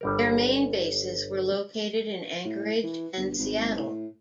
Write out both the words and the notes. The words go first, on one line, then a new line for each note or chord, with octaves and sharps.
Their main bases were located in Anchorage and Seattle.
G1 G3 A#4
A2
E3
G1
G#1
A2